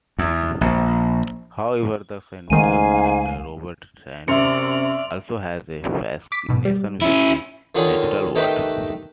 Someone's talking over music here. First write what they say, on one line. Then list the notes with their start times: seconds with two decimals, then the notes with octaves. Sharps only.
However, the central character, Robert Shannon, also has a fascination with the natural world.
0.19 E2
0.61 A#1
2.50 C#2 G#2 D#3 G#3 A3 F5 G#5 D#7
4.28 F#2 C3 D5 E5 C6 F6 C#7
6.32 D6 B6
6.49 G#2 B2
6.65 G3
7.01 C#4 E4
7.75 D3 D#3 F4 G#4 C#5
8.35 D#3 A3 D#4 G4 B4